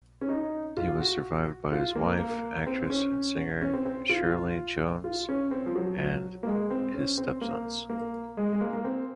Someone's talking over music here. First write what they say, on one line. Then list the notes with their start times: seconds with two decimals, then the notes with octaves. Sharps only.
He was survived by his wife, actress and singer Shirley Jones, and his stepsons.
0.21 C#4
0.29 D#4
0.77 F4
1.00 F#4
1.72 F4
1.95 A#3
2.19 A#3
2.66 C4
2.90 C#4
3.62 C#4
3.73 C4
3.86 C4
4.09 F4
5.04 F4
5.29 C#4
5.51 C4
5.66 F3
5.75 F#3
6.43 A#3
6.47 G#3
6.70 C4
6.94 C#4
7.18 C4
7.41 A#3
7.90 A#3
8.37 G#3
8.53 G#3
8.61 A#3
8.73 A#3
8.84 C4